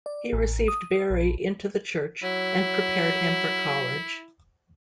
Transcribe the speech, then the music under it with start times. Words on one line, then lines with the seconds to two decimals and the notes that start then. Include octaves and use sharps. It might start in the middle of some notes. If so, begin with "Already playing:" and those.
He received Berry into the church, and prepared him for college.
0.06 D5
0.33 A1
0.68 D#6
1.10 A#1
2.23 F#3 E4